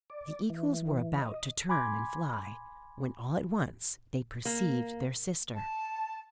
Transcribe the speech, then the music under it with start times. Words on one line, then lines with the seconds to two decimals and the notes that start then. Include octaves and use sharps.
The eagles were about to turn and fly, when all at once they perceived their sister.
0.10 D5
0.50 E3
1.21 D#5
1.69 G#5 B5 C6 D6 G#6
4.45 A#3
5.53 A5